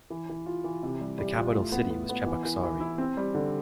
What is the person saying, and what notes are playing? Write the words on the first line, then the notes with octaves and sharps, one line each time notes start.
The capital city was Cheboksary.
E3
E3
F4
E3
C3
G3
G3
F4
A2
B3
B3
B3
E3
E3
E3
E4
C4
G3
D3